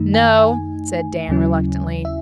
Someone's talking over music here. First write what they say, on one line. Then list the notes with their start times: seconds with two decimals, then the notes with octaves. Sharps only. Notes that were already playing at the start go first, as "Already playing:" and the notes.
"No," said Dan reluctantly.
Already playing: F#2 D#3 A3 D#4
0.14 G#5
1.28 D#2 C#3 F#3 C#4 E4
2.05 E5